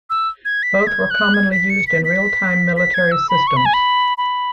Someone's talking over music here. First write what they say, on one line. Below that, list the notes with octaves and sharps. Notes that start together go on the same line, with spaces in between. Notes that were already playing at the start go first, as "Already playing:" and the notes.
Both were commonly used in real-time military systems.
E6
G#6
B6
G#6
F#6
G#6
B6
C#7
B6
B6
B6
G#6
E6
B5
C#6
B5
G#5
B5
B5